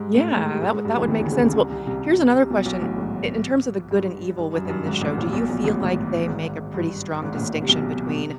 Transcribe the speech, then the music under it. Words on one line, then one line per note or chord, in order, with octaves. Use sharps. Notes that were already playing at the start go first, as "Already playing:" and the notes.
Yeah, that wou that would make sense. Well, here's another question, i in terms of the good and evil within this show, do you feel like they make a pretty strong distinction between
Already playing: G#2 G3 G#3
A2 A3
G#2 G#3
G3
G#2 G#3
G#2 G#3
G2 G3
E2 E3
D#2 D#3
D2 D3
C#2 C#3
C2 C3
C2 C3
C2 C3
C2 C3
C3
B1 B2
B1 B2
A1 A2
G#1 G#2
G2
G2
F#2
G2
F#2
G#1 G#2
A1 A2
A#1 A#2
C3
B1 B2
A#1 A#2
A1 A2
G#1 G#2
G#1 G#2
G2
G#1 G#2
A#2
A1 A2
C3
B1 B2
B2
C3